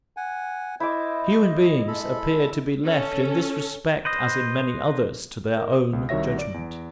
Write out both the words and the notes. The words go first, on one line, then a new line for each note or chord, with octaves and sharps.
Human beings appear to be left in this respect, as in many others, to their own judgment.
F#5 G#5
E4 C5 D#5 E5 D6
G#3 A4 B5
C#4 A4
B4 C5 D#5
A#4
D#6
C#2
C2 D#3 F#4 C#5 E5 A#6
D5 D7
E2